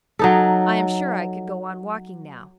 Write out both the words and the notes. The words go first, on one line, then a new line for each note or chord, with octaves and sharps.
I am sure I could go on walking now.
F#3 D#4 A4